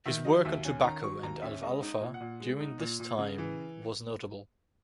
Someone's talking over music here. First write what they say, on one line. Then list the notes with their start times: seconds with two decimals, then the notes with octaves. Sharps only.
His work on tobacco and alfalfa during this time was notable.
0.06 D#3 E5
0.25 F#3 D#5
0.45 D#2 E5
0.64 C#4 G#5
0.84 D#3 A#5
1.04 F#3 C#6
1.23 D#2 A#5
1.42 C#4 E5
1.63 G#3 D#5
1.82 D#4
2.01 A#2
2.14 F#5
2.21 A#2
2.40 G#3
2.60 D#4
2.79 A#2
3.00 A#2
3.19 C#3
3.38 E3